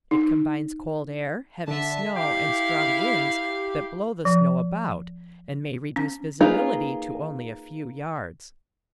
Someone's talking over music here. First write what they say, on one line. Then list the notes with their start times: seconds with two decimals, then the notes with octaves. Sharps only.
It combines cold air, heavy snow, and strong winds that blow the snow about and may reduce visibility to only a few yards.
0.11 D#4
1.68 D3 E5 A5
2.16 E4 G4 F5
4.25 F3
5.96 C#4
6.41 A#3 D#4 F4 G#4 B4